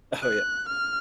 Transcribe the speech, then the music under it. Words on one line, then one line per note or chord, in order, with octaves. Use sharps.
Oh, yeah.
F#6
F6